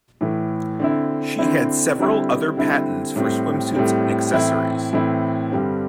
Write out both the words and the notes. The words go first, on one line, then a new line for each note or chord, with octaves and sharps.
She had several other patents for swimsuits and accessories.
A2 E3 A3
D3 C4 E4
D3 C4 E4
D3 G3 C4 E4
D3 G3 C4 E4
A2 G3 C4
A2 G3 C4
A2 E3 C4 E4
A2 E3 C4 E4
G2 D3 G3 C4